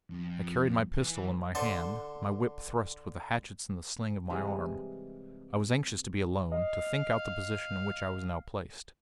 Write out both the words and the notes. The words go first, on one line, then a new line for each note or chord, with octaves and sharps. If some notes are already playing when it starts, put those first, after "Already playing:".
I carried my pistol in my hand, my whip thrust with the hatchets in the sling of my arm. I was anxious to be alone, to think out the position in which I was now placed.
F2
E3
D3 A4 C5
C3 E3 G3 G#3
D#5 F5